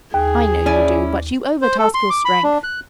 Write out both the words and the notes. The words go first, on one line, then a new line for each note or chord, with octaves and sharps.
'I know you do, but you overtask your strength.
D#2 G#4
C#4 E4 D5 G#5
C5
A4
C6
D6
B5
D4
F#6